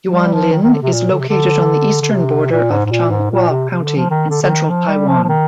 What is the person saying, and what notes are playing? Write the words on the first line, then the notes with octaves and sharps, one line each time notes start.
Yuanlin is located on the eastern border of Changhua County, in central Taiwan.
F3
G3
F3
D#3
D#3
D3
C3
A#2
D3
C3
D3
D3
C3
A#2
G#2
G#2
A#2
G#2
A#2
C3
C3
D3
F3
D#3
D3
D3
D#3
F3
G3
F3
F3
D#3